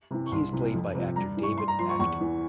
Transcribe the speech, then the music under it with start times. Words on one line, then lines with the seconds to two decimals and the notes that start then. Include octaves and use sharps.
He is played by actor David Acton.
0.11 C3 E3
0.26 C#6
0.32 C2 C6
0.52 C3 E3
0.74 F2
0.95 C3 F3
1.16 G2 A#5
1.37 E3
1.43 C#6
1.57 G2 C6
1.68 A#5
1.78 F3 C6
1.89 C#6
1.99 E2 C#6
2.21 E3